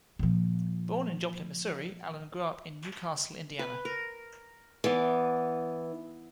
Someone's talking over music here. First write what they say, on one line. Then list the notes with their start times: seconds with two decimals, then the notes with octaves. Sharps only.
Born in Joplin, Missouri, Allen grew up in New Castle, Indiana.
0.19 A#2 F3
3.59 B4
3.85 A#4
4.84 E3 B3 D5